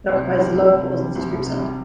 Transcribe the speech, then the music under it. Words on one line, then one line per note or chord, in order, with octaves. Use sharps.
It occupies the lower floors of the Citigroup Center.
C2 C4
C3
G3
C2
C2
C3
G3
C2
C2
C3
G3